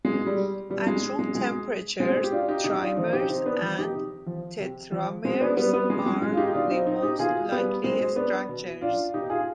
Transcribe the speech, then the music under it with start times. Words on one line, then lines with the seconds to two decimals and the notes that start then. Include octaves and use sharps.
At room temperature trimers and tetramers are the most likely structures.
0.05 B2 G#3
0.26 G3
0.69 B2 G3
0.87 G#3
1.19 G#3
1.34 B2 G#3
1.99 B2 G#3 C4
2.24 G4
2.32 D4 F4
2.49 D#4 G4
2.64 C3 D#4 G4
2.80 D4 F4
2.97 F3 C4 D#4
3.13 D#4 G4
3.29 C3 C4 D#4
3.45 B3 D4
3.61 F3
3.78 D#4 G4
3.95 C3
4.26 F3
4.60 C3
4.92 F3
5.24 B2 G#3 C4
5.40 B3 D4
5.57 G3 B3
5.73 G3 B3
5.89 B2 G#3
6.06 G#3
6.22 G#3
6.33 F4
6.37 D#4 G4
6.54 B2 D4 F4
6.71 C4 D#4
6.87 C4 D#4
7.02 D#4 G4
7.19 B2 F4 G#4
7.52 G3 B3
7.83 B2 G#3 C4
8.16 B3 D4
8.49 B2
8.81 D4 F4
9.14 B2 D#4 G4
9.30 F4 G#4